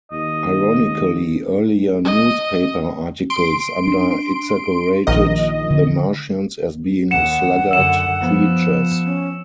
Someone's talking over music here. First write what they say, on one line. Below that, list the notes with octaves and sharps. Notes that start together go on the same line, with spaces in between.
Ironically, earlier newspaper articles under-exaggerated the Martians as being "sluggard creatures".
D#2 D#5
D#5
C6 D7
D4
A#1 D#3 D#5
D3
D#2 F#5 C#7 E7
F#2 D3 E6 E7
F3 B3
C#4